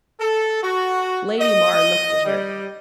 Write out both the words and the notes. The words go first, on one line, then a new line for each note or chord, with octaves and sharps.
Lady Mar looked at her.
A4
F#4
D#5
G3